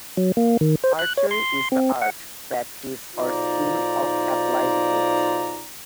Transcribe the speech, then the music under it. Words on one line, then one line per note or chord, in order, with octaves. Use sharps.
Archery is the art, practice, or skill of applying it.
F#3
A#3
D#3
C5
F#6
C#5
C6
C4
F#5
B1 D#4 F4 C5 D5 A#5